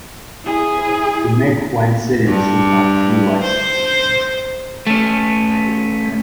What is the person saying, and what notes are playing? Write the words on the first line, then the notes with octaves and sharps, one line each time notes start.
To make oneself superfluous!
E4 G#4
G2
C5
A3 C#4